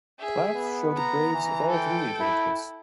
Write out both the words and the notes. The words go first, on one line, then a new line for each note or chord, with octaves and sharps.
Plaques show the graves of all three individuals.
G#4 E5
B3
A#5
E3
A4 G5
E4